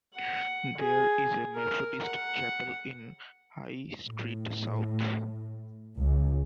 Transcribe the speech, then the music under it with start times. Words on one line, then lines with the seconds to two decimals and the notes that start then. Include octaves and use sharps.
There is a Methodist chapel in High Street South.
0.15 F#5
0.77 G#4
1.55 A#4
2.05 F#5
4.06 A2
5.98 C#2